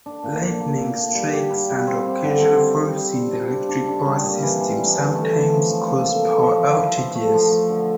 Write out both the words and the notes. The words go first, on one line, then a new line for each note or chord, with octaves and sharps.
Lightning strikes and occasional faults in the electric power system sometimes cause power outages.
D4
A#2
A#3
A#3
A#2
A#3
G3
G4
G3
G3
C4
C4
D3
C4
C4
C4
G3
G3
D4
D4
D4
D4
G3
A#2
E3
E3
E3
E3
A3
E3
F3
F3
A#3
A4
A4
F3
F3
E4
F3
A3
F3
F3
D3